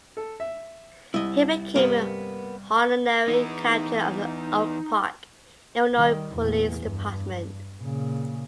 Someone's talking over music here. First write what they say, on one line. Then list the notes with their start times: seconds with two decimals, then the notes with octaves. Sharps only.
He became an honorary captain of the Oak Park, Illinois police department.
0.17 A4
0.40 E5
1.14 C2 E4 D#5
1.76 G2 C3 A#3 B3
3.28 E3 B3 D#4
5.94 D#3 G3
6.35 E2 A#2
6.78 G2
7.81 A#2 C#3